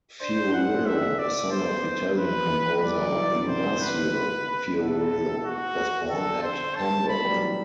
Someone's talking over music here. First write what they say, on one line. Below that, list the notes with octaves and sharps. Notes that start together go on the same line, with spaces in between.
Fiorillo, a son of Italian composer Ignazio Fiorillo, was born at Hamburg.
D4 C5
D4
E4 F#5
D4
C4 E5
D5
B3 C5
B4
G3 D5
F#3
E3
D3
C3 C5
B4
B2 A4
F#4
D3 A4
C5
A5
B3 B5
A3
G3
F#3
E3